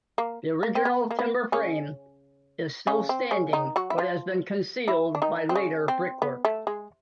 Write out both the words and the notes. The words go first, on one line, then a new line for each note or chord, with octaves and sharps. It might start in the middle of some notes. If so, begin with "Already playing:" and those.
The original timber frame is still standing but has been concealed by later brickwork.
A#3
A#3
C4
B3
A#3
B3
C#3 C#4
C#3 C#4
C4
C#3 C#4
D#3 D#4
F#3 F#4
E4
F3 F4
E3 E4
D4
D#3 D#4
C4
C#3 C#4
C4
B3
A3
G#3